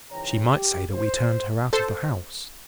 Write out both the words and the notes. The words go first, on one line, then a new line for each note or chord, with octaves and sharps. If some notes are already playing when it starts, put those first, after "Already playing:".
She might say that we turned her out of the house.
C#2 G#2 E3 C#5 G5 A#5
G4
C5
A4 C5